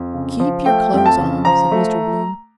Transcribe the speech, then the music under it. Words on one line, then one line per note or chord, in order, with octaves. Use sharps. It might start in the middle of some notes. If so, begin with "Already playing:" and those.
"Keep your clothes on," said Mr. Bloom.
Already playing: F2
C#3
F3
A3 G5
F2 G5
A5
C#3
F3 A#5
A3